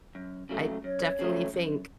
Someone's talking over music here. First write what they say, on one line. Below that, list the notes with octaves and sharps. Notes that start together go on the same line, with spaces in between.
I definitely think
F#2
C#3 F#3 A3
F#2 C#5
C#3 F#3 A3
F#2